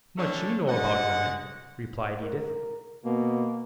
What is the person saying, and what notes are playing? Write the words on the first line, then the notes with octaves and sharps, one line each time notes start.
"Much you know about women," replied Edith.
D3 G3 A3 C#4 D4
D3 G#3 F#4 D#5 F#5
A#4
B2 A#3